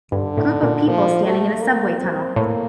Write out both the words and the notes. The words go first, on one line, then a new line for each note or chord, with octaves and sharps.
Group of people standing in a subway tunnel.
G2 D3
A2
A#2
A#2 F3
A3
A#3
C4
A2 A#3